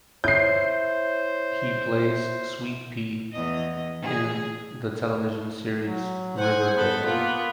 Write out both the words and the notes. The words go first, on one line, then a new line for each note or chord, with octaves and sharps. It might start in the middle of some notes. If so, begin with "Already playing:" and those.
He plays Sweet Pea in the television series "Riverdale".
E4 C5 C#5 G6 C7
E2 D#5
G#4
F#3
C5 F#5 G#5
B3 A4
A#3 F4